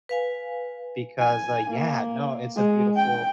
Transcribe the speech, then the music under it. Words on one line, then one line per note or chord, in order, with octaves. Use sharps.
because, uh, yeah, no, it's a beautiful
B4 F5 G#5
G#5
A#3
G#3
G5